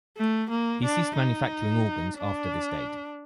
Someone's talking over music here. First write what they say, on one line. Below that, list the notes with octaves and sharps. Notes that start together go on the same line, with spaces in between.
He ceased manufacturing organs after this date.
A3
A#3
D4
D#4
D4